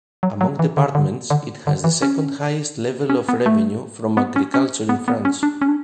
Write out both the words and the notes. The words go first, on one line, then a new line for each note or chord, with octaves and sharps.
Among departments, it has the second highest level of revenue from agriculture in France.
F#3
F#3
E3
D3
D3
D3
D3
E3
C#4
C#4
B3
A3
B3
C#4
C#4
B3
B3
C#4
D4
C#4
D4